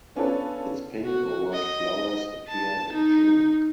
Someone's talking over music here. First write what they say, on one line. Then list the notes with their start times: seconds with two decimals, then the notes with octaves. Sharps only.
Its pink or white flowers appear in June.
0.16 B3 C#4 D4 F4 A4 B4
1.05 F#4
1.53 D#5
2.49 A5
2.93 D#4